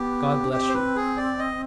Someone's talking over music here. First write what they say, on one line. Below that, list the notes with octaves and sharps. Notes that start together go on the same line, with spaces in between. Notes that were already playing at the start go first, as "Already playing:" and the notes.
God bless you!
Already playing: B3 G4
D4
C4 G4
C5
B4
G#4
D5
D#5